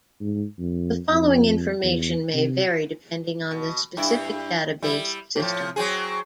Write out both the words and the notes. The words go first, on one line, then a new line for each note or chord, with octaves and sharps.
The following information may vary depending on the specific database system.
G#2
F2
F2
E2
C3
B2
G2 E4
G3 E4
A2 F3
F#3 C4 G#4